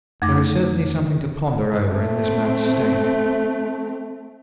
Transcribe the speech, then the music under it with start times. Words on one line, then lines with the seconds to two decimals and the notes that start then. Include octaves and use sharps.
There is certainly something to ponder over in this man's state.
0.22 F2 A3 D6 A#6
1.88 A3 C4